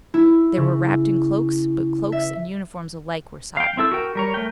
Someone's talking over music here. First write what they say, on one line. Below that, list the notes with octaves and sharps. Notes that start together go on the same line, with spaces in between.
They were wrapped in cloaks, but cloaks and uniforms alike were sodden.
E4
C#3
E5
F5 G5
C4 E4 A4 E6
F#4 A#4 G5
G3 A#4 C#5
A3 A#4 G5